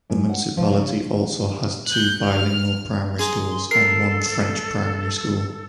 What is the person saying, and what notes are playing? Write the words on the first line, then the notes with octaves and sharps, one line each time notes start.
The municipality also has two bilingual primary schools and one French primary school.
F#2
F#5
F3
C#3
F#6 G6
F6
G#4 A#5 C6
A4 A#4 C7